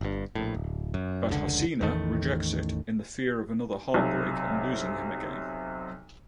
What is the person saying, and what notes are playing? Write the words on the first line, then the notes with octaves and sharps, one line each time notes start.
But haseena rejects it in the fear of another heartbreak and losing him again.
G1 G2
A#1 A2
D1
F#2
F1 C#2 D3
A1 E2 D#3 A3
B1 C3